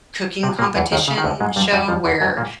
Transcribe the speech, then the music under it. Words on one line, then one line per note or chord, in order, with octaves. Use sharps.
cooking competition show where
C3 C4
A#2 A#3
E2 E3
D#2 D#3
C#3
D#3
D2 D3
G#2 G#3
G2 G3
F#2 F#3
F2 F3
E2 E3
F#2 F#3
A#2 A#3